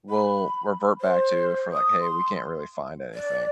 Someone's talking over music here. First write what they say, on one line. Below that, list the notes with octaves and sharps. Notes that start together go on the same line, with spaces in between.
we'll revert back to if we're like, "Hey, we can't really find anything."
B5
C5
D#6
C6
D5